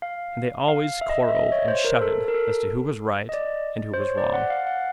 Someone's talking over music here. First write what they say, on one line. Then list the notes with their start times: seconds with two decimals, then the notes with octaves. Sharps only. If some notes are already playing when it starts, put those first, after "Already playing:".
And they always quarrelled and shouted as to who was right and who was wrong.
0.02 F5
0.68 F5
1.01 E5
1.09 D#5
1.17 E5
1.29 E5
1.35 D#5
1.52 C#5
1.68 C5
1.84 A#4
2.01 A4
2.28 A#4
2.34 A4
3.29 D#5
3.33 D5
3.94 C5
4.00 C#5
4.18 D5
4.34 F#5
4.50 F5
4.67 F#5